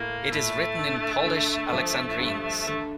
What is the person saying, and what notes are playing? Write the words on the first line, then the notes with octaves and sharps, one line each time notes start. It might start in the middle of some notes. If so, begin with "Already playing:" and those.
It is written in Polish alexandrines.
Already playing: A2 A#3
A2 A3
D3
D3
F3
G2
D3 A3